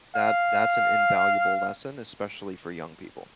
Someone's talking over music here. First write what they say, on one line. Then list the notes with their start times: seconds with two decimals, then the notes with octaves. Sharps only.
that that's an invaluable lesson, especially for young people.
0.16 F5